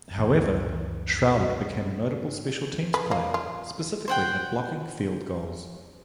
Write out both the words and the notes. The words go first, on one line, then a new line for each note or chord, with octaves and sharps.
However, Stroud became a notable special teams player - specifically at blocking field goals.
C#2 F#2 A#2 E3
B4
A#3
F4
C5 F#5 G5